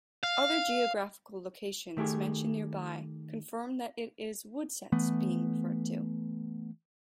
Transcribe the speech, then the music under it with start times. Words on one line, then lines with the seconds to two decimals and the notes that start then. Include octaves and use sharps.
Other geographical locations mentioned nearby confirm that it is Woodsetts being referred to.
0.23 F5
1.97 D#3 A3 G4 G#4
4.92 E3 A3 B3